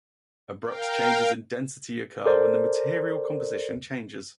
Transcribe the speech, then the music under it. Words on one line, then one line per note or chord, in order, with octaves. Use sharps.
Abrupt changes in density occur where the material composition changes.
A#4 F5 G5
A4 A#4 C5 D5